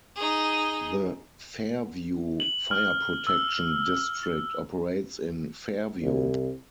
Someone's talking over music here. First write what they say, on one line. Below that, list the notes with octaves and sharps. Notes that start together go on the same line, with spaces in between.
The Fairview Fire Protection District operates in Fairview.
D#4 G#4
F#7
F6
E6
C2